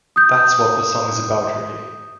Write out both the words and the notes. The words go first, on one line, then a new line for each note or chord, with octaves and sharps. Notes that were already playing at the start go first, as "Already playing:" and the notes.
That's what the song is about really.
D#6 G6